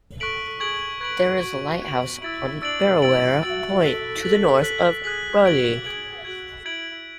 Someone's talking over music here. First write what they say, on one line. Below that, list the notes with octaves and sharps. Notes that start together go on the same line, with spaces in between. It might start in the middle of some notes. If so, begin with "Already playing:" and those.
There is a lighthouse on Burrewarra Point to the north of Broulee.
A4 C#6 F#6 B6 D7 F#7
G#4 C#6 G#6 D7 F#7
B4 C#6 G#6 D7 F#7
F#4 C#6 G#6 D7 F#7
C#6 G#6 D7 F#7
E4 E6 A6 D7 F#7
D4 E6 A6 D7 F#7
E4 E6 A6 D7 F#7
F#4 E6 A6 D7 F#7
A4 F#6 B6 F#7
A4 F#6 B6 F#7
F#6 B6 F#7
G#4 F#6 B6 F#7
F#4 G#6 D7 F#7
G#4 G#6 D7 F#7
F#4 G#6 D7 F#7
E4 G#6 D7 F#7